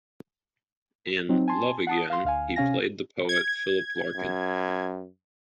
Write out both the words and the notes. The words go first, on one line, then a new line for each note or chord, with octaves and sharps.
In "Love Again", he played the poet Philip Larkin.
F#3 C4 D#4
G#5 A5 C6
F#5 A5 D#6
F5 C6
D2 F5 G#5
C3 C#4 F5 G#5 A#6
G#6
F#2